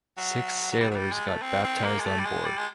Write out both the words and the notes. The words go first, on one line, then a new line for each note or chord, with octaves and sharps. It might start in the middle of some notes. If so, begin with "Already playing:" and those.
Six sailors got baptized on board.
F#3
F#3
G3
F#3
G3
G#3
A3
C4
C4
A#3
G#3
A3
G3
G#3
G3
G#3